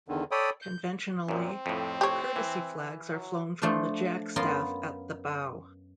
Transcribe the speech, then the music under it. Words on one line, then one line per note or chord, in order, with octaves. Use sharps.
Conventionally, courtesy flags are flown from the jackstaff at the bow.
E2 D3 D#3
A4 C#5 D5 G5 B5 D#6
G6
F#2 A#2 C4
F2 A2
G4 C#5
E3
F#3
F3 A3 D4 C5
F#2 B3 F4 A#4 C6